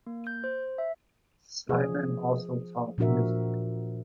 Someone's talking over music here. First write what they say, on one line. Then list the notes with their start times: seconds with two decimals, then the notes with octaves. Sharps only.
Simeon also taught music.
0.06 A#3
0.27 G6
0.44 C5
0.78 E5
1.69 F3 G#4
2.98 A#2 F3 D4 F#4 A#4 E5